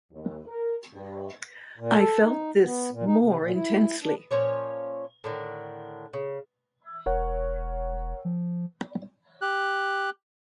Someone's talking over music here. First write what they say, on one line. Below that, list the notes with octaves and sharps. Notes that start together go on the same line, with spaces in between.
I felt this more intensely.
D#2
A#4
G2
A#2
A4
D#4
B3
A#2
D#4
C3
A#2
E4
D4
A#2 F3 C#4 C#5
A2 D3 D#3
C#3
E1 A#4 C#5 F#5
F3
G4 F#6